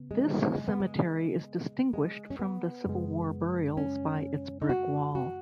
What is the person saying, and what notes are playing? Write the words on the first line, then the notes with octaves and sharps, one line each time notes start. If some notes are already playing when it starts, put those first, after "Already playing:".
This cemetery is distinguished from the Civil War burials by its brick wall.
Already playing: C#3 B3
G#3
G#3
B3
G#3
G#3
C#4
B3
F#2 C#3 G#3
C#4
D#4
F#4
F#4